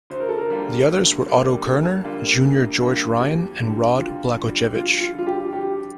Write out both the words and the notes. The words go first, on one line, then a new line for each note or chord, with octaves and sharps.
The others were Otto Kerner Junior George Ryan, and Rod Blagojevich.
D2 C5
A#4
A4
A#4
D3 G3 A#3 F4
D2
D3 G3 A#3 F4
D2 A4
D3 G3 A#3 F4
D2
D3 G3 A#3 F4
F2 G4
D3 G3
F2 F4
D3 G3
F2 F4
F4
D3 G3 F4
G4
F2 G4